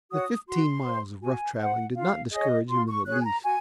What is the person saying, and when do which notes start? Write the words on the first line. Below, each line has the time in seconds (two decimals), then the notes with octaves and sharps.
The fifteen miles of rough traveling did not discourage him in the least.
0.11 F#4 C#5 D#6
0.48 F#4 C6
0.85 C5
1.22 F#4 G#5
1.58 C5 F#5
1.95 F4 F5
2.31 G#4 C#5 D#5
2.69 F4 C6
2.88 C#6
3.05 G#4 C#5 F#6
3.20 G#5
3.24 A#5
3.42 F#4 G#5